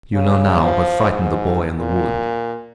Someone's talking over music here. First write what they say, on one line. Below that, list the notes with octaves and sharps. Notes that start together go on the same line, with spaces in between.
You know now what frightened the boy in the wood.
C#3
F3
G#2
A#2